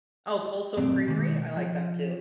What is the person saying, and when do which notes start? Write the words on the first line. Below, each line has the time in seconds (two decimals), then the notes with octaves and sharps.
Oh, Cold Stone Creamery? I like them too.
0.77 F#2 A#2 D3 C4 D4
1.07 B2 D#3 G#3 A#3
1.57 F3